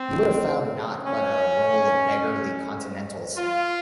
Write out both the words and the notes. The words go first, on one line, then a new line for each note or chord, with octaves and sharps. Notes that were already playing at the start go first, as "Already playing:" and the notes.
You would have found naught but a roll of beggarly continentals.
Already playing: C4
C#4
F4